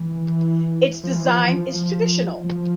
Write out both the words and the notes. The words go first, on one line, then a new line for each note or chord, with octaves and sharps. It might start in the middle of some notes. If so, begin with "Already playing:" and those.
Its design is traditional.
Already playing: E3
F3
E3
F3
F3
F3